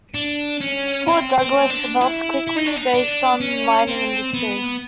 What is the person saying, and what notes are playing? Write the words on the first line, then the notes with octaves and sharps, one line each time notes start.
Port Douglas developed quickly based on the mining industry.
D4
C#4
C4
C4
D4
E4
E4
D#4
D4
D#4
D4
C#4
C4
B3